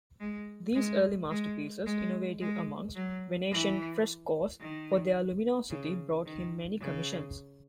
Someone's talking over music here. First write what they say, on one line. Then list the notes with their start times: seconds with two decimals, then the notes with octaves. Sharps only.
These early masterpieces, innovative amongst Venetian frescoes for their luminosity, brought him many commissions.
0.20 G#3
0.75 G#3
1.31 G#3
1.86 G#3
2.41 G#3
2.96 F#3
3.51 E3
4.61 D#3
5.70 C#3
6.26 D#3
6.81 C#3